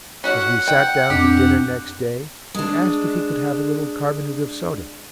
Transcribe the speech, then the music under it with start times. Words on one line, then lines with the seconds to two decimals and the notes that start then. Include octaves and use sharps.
As we sat down to dinner next day he asked if he could have a little carbonate of soda.
0.24 C#4 F#4 F#5
0.68 G5
1.10 F2 C4 D4 G4
2.55 G#3 D4